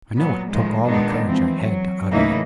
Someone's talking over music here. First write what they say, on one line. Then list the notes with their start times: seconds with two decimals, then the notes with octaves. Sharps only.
I know it took all the courage I had to utter it.
0.16 A#2 F#3 B3
0.50 A2 D#3 F3 G#3
0.87 A#2 D#3 G#3 B3 D4 D#4
1.26 E3 F3 C4
1.56 F#3
2.11 A2 C#3 E3 A#3 D#4 E4